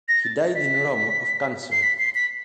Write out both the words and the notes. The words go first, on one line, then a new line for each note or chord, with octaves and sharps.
He died in Rome of cancer.
A#6
A6
B6
C7
B6
C7
B6